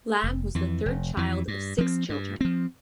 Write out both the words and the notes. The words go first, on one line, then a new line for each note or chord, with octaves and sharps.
Lam was the third child of six children.
F1
F2 E3
F1
F2 E3
G2
F3 C4
G2
F3 C4